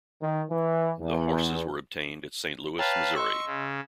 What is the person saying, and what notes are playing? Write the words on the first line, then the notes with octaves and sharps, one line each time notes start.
The horses were obtained at Saint Louis, Missouri.
D#3
E3
E2
B4 C#5 F5 G5 A5 A#5
D#5 C6 C#6 E6
C#3